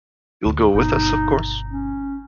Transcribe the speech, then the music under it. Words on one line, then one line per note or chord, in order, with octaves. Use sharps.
You'll go with us, of course?
D2
G1 B2 D#4
C#4